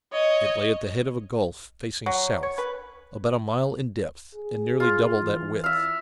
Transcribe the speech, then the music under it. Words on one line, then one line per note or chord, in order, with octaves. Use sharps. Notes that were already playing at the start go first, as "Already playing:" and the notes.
It lay at the head of a gulf facing south, about a mile in depth and nearly double that width.
C#5 D#5
F#3
C#5
B4
G#4
F4
E3
E5 F5